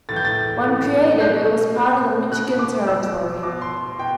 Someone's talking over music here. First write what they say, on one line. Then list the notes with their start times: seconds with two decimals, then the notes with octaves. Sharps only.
When created, it was part of the Michigan Territory.
0.09 A2 E3 A6
0.16 G6
0.25 A6
0.64 A2 E3
1.20 B2 G6
1.76 B2
2.32 B2 F#6
2.59 D6
2.87 B2 E6
3.43 B2 D6
3.61 C6
3.99 B2 G5